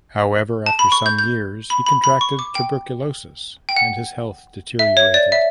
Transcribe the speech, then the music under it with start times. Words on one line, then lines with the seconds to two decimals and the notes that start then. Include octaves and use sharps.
However after some years he contracted tuberculosis and his health deteriorated.
0.66 A5
0.79 B5
0.92 C#6
1.06 G6
1.18 G6
1.70 B5
1.86 B5
2.04 B5
2.21 C#6
2.39 D6
2.55 G5
3.69 G5
3.76 F#5
4.79 E5
4.97 C#5
5.14 D5
5.32 E5